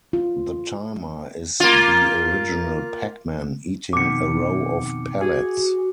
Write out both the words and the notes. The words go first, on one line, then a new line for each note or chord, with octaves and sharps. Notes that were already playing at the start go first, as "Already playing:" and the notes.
The timer is the original "Pac-Man", eating a row of pellets.
F4
A#3 F4
F2 B2 D#3 D6 C#7
F#4 G#4